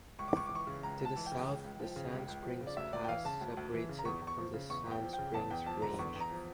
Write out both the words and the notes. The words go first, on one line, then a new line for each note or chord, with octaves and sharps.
To the south, the Sand Springs Pass separates it from the Sand Springs Range.
C#2 C#6
D6
C#2 C#6
D6
E3 C#6
C#3
C#2 A#5
C#2
A5
E3
G5
C#3
C#2
C#2
F3
C#3
C#2
C#2
F3
C#3
D5
D2 E5
D2 D5
G5
E3 F5
C#3 A5
D2
D2
E3
C#3
A#5
E2 C#6
E2
C#6
F3
C#3
E2 C#6
E2
G5
F3
G5
C#3
E2 A5
E2 G5
F3 A5
D3 A#5
E2 C#6
E2
A#5
F3